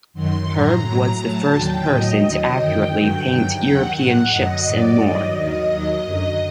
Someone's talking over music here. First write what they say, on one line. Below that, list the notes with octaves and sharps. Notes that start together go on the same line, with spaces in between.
Herb was the first person to accurately paint Europeans ships and more.
F#2 D#3 F#3 C6
A2 F#3 A#5
A2 F#3
A2 F#3 A5
D#2 D3 F#3 G5
A2 F#3 D#5
D#2 D3 F#3
F#2 D#3 F#3 G5
G2 D3 F#3
G2 D#3 F#3
D#2 D#3 F#3 F#5
A2 F#3
F#2 D3 F#3 D#5
A2 F#3 D5
G2 D#3 F#3 D#5
D#2 D#3 F#3 D#5
D#2 D#3 F#3
F#2 D3 F#3